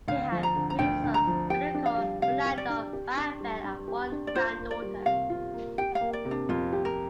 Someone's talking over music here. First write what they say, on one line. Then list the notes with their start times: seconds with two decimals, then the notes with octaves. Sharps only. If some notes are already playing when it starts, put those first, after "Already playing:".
He had three sons, Federico, Fernando and Rafael, and one granddaughter.
0.08 D2 F5
0.32 F3
0.43 A#5
0.56 D3
0.70 A#5
0.79 D2 G5
1.04 D2
1.14 A#5
1.27 F3
1.50 G4 G5
1.74 D4
1.86 F5
1.98 G3
2.21 C3 F5
2.45 G4
2.58 D5
2.70 D4
2.93 G4
3.17 D4
3.40 G3
3.64 G2
3.88 G4
4.12 D4
4.27 D5
4.35 F4 C5
4.59 A#3
4.71 D5
4.82 G3
5.06 C3 F5
5.30 F4
5.54 A#3
5.78 G4 G5
5.95 F5
6.01 A#3
6.13 D5
6.25 C3
6.31 D4
6.49 F2 F4
6.73 G4
6.85 A#4